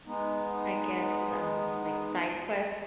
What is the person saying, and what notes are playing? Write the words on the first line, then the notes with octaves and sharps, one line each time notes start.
I guess, um, like, side quest
G#3 B3 D#4